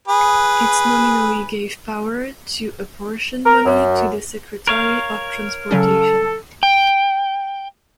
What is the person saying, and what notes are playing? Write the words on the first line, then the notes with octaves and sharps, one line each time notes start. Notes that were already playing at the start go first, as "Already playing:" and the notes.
It nominally gave power to apportion money to the Secretary of Transportation.
G#4 B4
A#4
F#2
A#4 C#5 F5
C#3 F#3 C#4 A4
G5